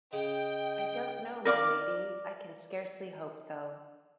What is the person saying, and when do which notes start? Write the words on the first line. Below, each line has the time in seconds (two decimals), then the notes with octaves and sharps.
I don't know, my Lady; I can scarcely hope so.
0.13 C#3 D#5 G5
1.45 A#4 D5 F5 D6